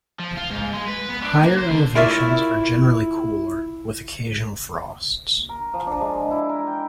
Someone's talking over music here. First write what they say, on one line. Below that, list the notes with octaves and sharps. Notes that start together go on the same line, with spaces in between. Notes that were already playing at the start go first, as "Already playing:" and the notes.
Higher elevations are generally cooler, with occasional frosts.
F3
F4
G#2
G#3
B4
B3
D4
A#3
C5
D3
E4 F4 A#4 C#5 D5 E5
A#4
F3
D4
G#3
E4
A#4
G5